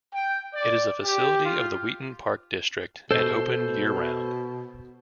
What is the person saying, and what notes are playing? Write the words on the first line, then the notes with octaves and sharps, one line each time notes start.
It is a facility of the Wheaton Park District and open year round.
G5
D5
G4
F4
B2 A4 C5